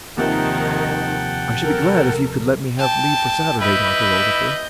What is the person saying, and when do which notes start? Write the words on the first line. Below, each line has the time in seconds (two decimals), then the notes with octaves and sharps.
"I should be glad if you could let me have leave for Saturday, Dr. Oldacre."
0.18 D#2 C3 D#3 F3 D#4 F#5 G5 A5
1.62 A4 A#4
2.79 G5 A5
3.60 E4 B4 D#5 G6